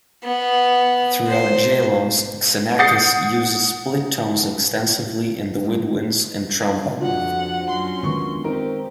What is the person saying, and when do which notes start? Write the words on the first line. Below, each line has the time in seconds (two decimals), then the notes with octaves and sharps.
Throughout "Jalons", Xenakis uses split tones extensively in the woodwinds and trombone.
0.24 B3
1.28 C5
2.79 F#5 D#6 G6 A6 C7 C#7
7.00 F2 D4 F4 F#4 F#5
7.70 F#2 C#4 C6
8.03 E2 D#3 G#3 C#6
8.44 C4 D#4 G4 A#4